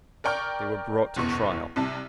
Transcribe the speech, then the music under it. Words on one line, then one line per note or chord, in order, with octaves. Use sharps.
They were brought to trial.
A#4 D5 G5 C#6 F6
F#1 E2 B2 C#6
C2 C3 A5